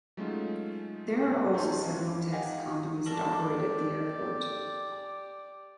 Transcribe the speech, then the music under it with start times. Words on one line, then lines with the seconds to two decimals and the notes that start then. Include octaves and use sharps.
There are also several taxi companies that operate at the airport.
0.17 F#3 G#3 A3 C#4 D#4 F4
1.23 C3 G3 F#6
1.54 D#4 G#4 B4 C#5 A5 C6
1.79 F3 C4 C#4 F4
2.32 D#4 G4 F5 F#5 G#5
3.06 D4 G4 A4 A#4 D5